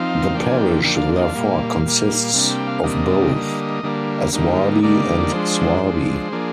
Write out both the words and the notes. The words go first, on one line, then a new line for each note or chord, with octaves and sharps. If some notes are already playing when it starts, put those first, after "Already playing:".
The parish therefore consists of both Aswarby and Swarby.
Already playing: F3 C4 D#4 F5
F3 A#3 D4 G5
G#5
G5
F3 A#3 D4 G5
F5
D#5
F5
A#2 G3 A#3
A#2 G3 A#3
C3 G3 A#3 D4
G5
F5
C3 G3 A#3 D4 D#5
D3 G3 A#3
D3 G3 A#3
D3 G3 A#3 D#4
D3 G3 A#3 D#4 D5
F3 G#3 D4 C5
F3 G#3 D4
F3 A#3 D4 G#4